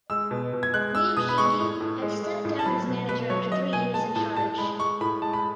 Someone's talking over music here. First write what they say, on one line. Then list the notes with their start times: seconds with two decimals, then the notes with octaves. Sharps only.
Liam Sheedy had stepped down as manager after three years in charge.
0.10 G#3 E6
0.31 B2
0.53 B2
0.63 G#6
0.74 G#3 F#6
0.95 G#3 E6
1.16 B2 D#6
1.29 B5
1.38 G#3 C#6
1.60 A2
1.81 A2
2.02 G#3
2.23 G#3
2.45 A2
2.59 A5
2.66 F#3 B5
2.87 B2
3.09 B2 B4
3.30 F#3 C#5
3.52 F#3 D#5
3.73 B2 G#5
3.94 G#3 A5
4.15 A2 A5
4.36 A2 A5
4.58 G#3 B5
4.79 G#3 C#6
5.01 A2 B5
5.22 G#3 A5
5.33 B5